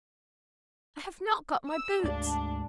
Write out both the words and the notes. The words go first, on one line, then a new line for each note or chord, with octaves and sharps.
I have not got my boots!
E6
D2 G#2 D4 D5 F5